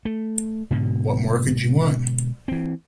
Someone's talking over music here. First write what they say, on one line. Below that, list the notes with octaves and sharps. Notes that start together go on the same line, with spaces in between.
What more could you want?
A3
G#2 B2 D3
E3 C4